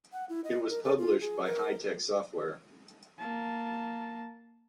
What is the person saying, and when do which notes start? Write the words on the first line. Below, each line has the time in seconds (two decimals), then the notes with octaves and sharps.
It was published by Hi-Tec Software.
0.13 F#5
0.29 E4
0.44 D#5
0.70 A#4
0.84 A4
0.98 F4
1.21 G#4
1.45 A#4
3.19 A#3 A5